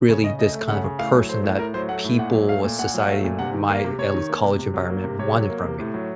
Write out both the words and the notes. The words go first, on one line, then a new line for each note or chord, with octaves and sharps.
really this kind of a person that people of society in my at least college environment wanted from me.
C#3 C#5
C#3 D#5
A3 D#5
A3
C#3 F#5
C#3
A2 F5
F#3
A3 C5
A2
A2 A#4
F#3 C5
A3 F#5
A2
A#2 F#5
F#3
A3 F5
A#2
A#2 F#5
F#3
F#5
A3 F5
A#2
C3 F#5
D#3
A#3 F5
C3
C3 C#5
D#3
A#3
C3
C3
F#3
A#3
C3
C3 C#5
F#3
A#3
C3
A2
F#3